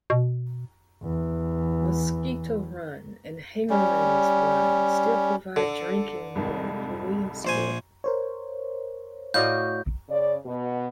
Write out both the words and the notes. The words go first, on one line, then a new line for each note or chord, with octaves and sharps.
Mosquito Run and Hagerman's Run still provide drinking water for Williamsport.
B2
E2 E3
G3 C#4
D3 A4
C2 F2 G#2
A#1 C5 G#5
A#4 C5 C#5
A2 F#4 D5 D#5 F5 G6
C#3 D5
B2